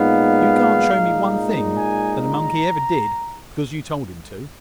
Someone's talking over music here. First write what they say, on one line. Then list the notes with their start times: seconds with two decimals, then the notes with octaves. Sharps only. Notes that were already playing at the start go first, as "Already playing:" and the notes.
"You can't show me one thing that a monkey ever did because you told him to."
Already playing: A#2 G#3 B3 D#4 F5
0.89 A#2 G#3 D#4
1.77 G#5
2.22 A#5